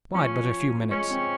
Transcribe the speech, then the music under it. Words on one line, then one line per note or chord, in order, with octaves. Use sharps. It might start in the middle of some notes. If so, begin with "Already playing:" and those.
Bide but a few minutes.
F3 C#4
G#3 C#4
C4